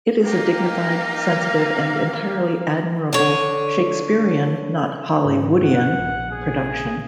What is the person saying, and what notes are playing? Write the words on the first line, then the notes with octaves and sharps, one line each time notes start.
It is a dignified, sensitive and entirely admirable Shakespearean-not Hollywoodean-production.
A#3 D#4 G4 F5 A#5
D3 C#5
G#2
G2 F#5
A#1
G#4